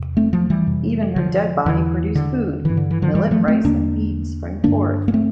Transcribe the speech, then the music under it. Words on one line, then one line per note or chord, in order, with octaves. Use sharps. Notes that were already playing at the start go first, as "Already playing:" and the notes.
Even her dead body produced food: millet, rice, and beans sprang forth.
Already playing: E2 C3
A3 C4
F3 A3
E3 G3
F2 C3
D3 F3
E2 D3 E3
D3
G2 D3 E3
D3
E3
D3 F3
E3 G3
F3 A3
A3 C4
E2 D3 A#3 D4
G2 D3 A#3 D4
A#3
A3 C4